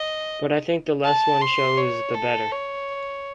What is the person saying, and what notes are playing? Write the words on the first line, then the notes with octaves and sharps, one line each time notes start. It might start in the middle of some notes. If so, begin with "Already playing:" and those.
But I think the less one shows the better.
Already playing: D#5
A5
C6
C#5
A4
C#5